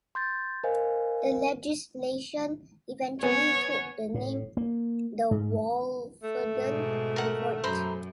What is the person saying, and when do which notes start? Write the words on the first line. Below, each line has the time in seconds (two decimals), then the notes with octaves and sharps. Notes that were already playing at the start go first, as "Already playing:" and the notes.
The legislation eventually took the name The Wolfenden Report.
0.15 C6 G6 A6
0.63 A#4 C5 D#5 F5 G#5
3.23 B3 C#5 G#5
4.14 A2
4.57 A#3
5.31 G#2
6.23 A3
6.59 G#2 B2
7.16 A#4 F#5
7.64 F#2 C5 A#5 B5